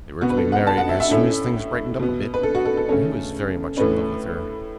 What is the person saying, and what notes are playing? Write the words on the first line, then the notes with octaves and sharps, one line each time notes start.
They were to be married "as soon as things brightened up a bit," and he was very much in love with her.
B2 B3 F#4
B4
A4
F#5
A5
F#5
E5
E5
A2 A3 C#4 E5
B2 B3
B4
A4
F#4
A4
A4
C#3 A3 C#4 A4
A2 A3 C#4 B4